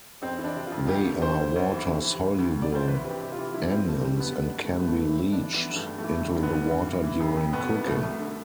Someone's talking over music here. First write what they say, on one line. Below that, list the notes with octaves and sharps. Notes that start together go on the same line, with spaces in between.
They are water-soluble anions and can be leached into the water during cooking.
F2 C4
E3
D4
C3
F4
F2
D2 G4
D3
D3 C5
D2
D2
E3
C3
E3
D2
D2
D2
D5
D2 C5
E3 B4
C3
G4
C3
F4
E3
G2 E4
D3 C4
G2 A3
G2 G3
D2 B3
C3
D4
D2
A3
D2
B3
G2 A3
E3
C4
G2
E3 D4
E3 B3
G2
A3
G2
A3
E3
G2
G2
B3
D3
G2
E3
E3
F2
F2
B2 B3
C2
B2 A3
C2
D3